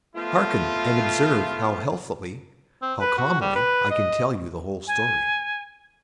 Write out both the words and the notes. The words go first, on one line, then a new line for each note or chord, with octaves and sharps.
Hearken! and observe how healthily--how calmly I can tell you the whole story.
F3 A3 B3 F4
C4
B4
F#4
G3
B4
D#5
G#5